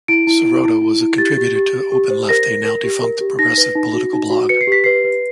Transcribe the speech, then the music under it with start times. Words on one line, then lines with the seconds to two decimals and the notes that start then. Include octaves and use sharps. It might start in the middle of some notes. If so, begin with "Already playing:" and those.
Sirota was a contributor to OpenLeft, a now-defunct progressive political blog.
0.08 E4 D7
0.27 E4
0.45 E4
0.64 E4
0.82 E4
1.01 E4
1.18 G4 A6
1.38 G4
1.56 G4
1.74 G4
1.92 G4
2.10 C5
2.29 A#4 A#6
2.48 A#4
2.66 A#4
2.83 G4
3.02 A#4
3.21 G4
3.39 D#4 A#6
3.58 B4
3.75 D#4
3.94 F#4
4.13 D#4
4.30 F#4
4.49 B4 C#7
4.61 C7
4.67 G4 B6
4.84 B4 C7
5.04 B4